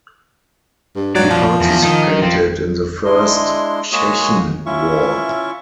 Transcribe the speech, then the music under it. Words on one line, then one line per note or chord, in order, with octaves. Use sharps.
He participated in the First Chechen War.
G2
F2 F#3 D5
F3
E2
D#3 D#4
F3 C4
G#3 D4 E4 D#5 C6
G#3 A#3 F#4 G#4 C#5 D#6
C#4 E4 F4 E5 C#6